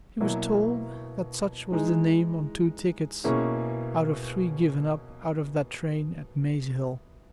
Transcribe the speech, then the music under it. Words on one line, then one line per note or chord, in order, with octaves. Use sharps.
He was told that such was the name on two tickets out of three given up out of that train at Maze Hill.
B2 F#3 A#3 E4
E3 G#3 D#4
B2 A#3 C#4 E4 G#4